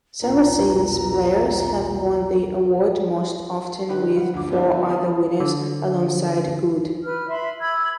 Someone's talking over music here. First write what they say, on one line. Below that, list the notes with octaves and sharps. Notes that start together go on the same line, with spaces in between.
Saracens players have won the award most often with four other winners alongside Goode.
B1 E2 A#2 A#5
D3 D#4 F#4 G4 B4
F5 F#5
D2 G2 D6
D3 E3 F3 G3 B3 C4
F5 B5 D#6
D3
B4 F6
E5 B5 C6
B5 E6 G#6